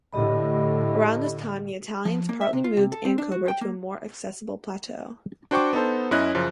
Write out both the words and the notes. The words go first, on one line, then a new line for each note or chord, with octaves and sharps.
Around this time the Italians partly moved Ankober to a more accessible plateau.
A2 D3 G4 D#5 B5
F3
A#3
E5
C3
F4
C3
A4
C4
D4
F#4
G5
A#3
D4 F#4 C5 G5 C#6 D6
B3 D#4 A4 C5
F#2 C#4 E4 D#5 F#6
F#2 C#3 F3